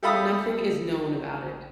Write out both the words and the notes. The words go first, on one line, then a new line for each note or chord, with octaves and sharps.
Nothing is known about it.
G4 A4 E5 F5 B5 D#6